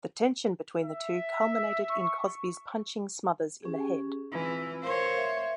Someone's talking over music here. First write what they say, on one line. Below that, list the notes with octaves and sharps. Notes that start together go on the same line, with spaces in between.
The tension between the two culminated in Cosby's punching Smothers in the head.
E5
C#6
C#4 G4 G#4
E3 C4 F4 E6
A#4 C5 C#5 F5
E5